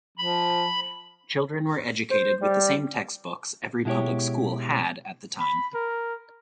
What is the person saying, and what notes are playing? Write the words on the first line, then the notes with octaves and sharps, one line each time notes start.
Children were educated with the same textbooks every public school had at the time.
F3 B5
C5
G3
B2 G#3 E4 F4 G4 C#5
B5
A#4